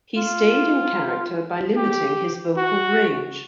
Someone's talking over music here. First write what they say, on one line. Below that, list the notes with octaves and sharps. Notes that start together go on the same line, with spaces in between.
He stayed in character by limiting his vocal range.
F4
G4
F#4